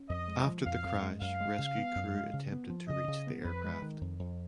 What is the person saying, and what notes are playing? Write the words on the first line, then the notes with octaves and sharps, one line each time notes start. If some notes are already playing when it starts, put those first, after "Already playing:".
After the crash rescue crew attempted to reach the aircraft.
Already playing: C#4
F2 D#5
G#3
F3
F2 F5
F2
G#3
F#2 F5
G#3
C#3
B3
F#2
G#3
C#3
B3
F3
C#3 D#5
C#3
B3
F2 B4
G#3
D#3
F2
F2